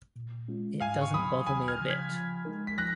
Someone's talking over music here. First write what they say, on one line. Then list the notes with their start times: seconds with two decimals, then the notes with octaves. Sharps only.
It doesn't bother me a bit.
0.16 A#2
0.48 G#3 C#4 F4
0.80 G#2 F5 G#5
1.01 C#6
1.14 D#3 F#3 B5 D#6
1.46 D#2 G#5 B5
1.68 F6 G#6
1.80 C#3 F3
1.90 G#6 B6
2.12 F3
2.45 G#3 D#4 A#4
2.67 B6
2.78 F3 F#6 A#6